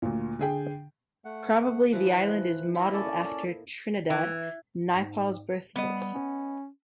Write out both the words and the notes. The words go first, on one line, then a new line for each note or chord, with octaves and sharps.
Probably the island is modeled after Trinidad, Naipaul's birthplace.
D2 A#2
D3 G#4 G5
A3 F#5
E3 F3 F#6
E4 D#5
A#3 C#4 A4 D5 A5
E3
G#2
G3 B3 D#5
C#4